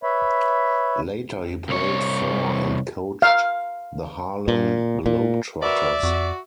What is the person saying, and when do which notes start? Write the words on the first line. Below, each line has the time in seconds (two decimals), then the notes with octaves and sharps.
Later he played for and coached the Harlem Globetrotters.
0.03 B4 C#5 E5 B5
1.69 C2 C#5
3.22 F5
4.48 A#2
5.06 A#2
5.62 F#4 A#4 B4 D5 E5
6.03 F2 F#4